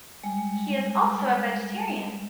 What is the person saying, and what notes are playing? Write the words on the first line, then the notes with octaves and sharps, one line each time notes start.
He is also a vegetarian.
G3 G#3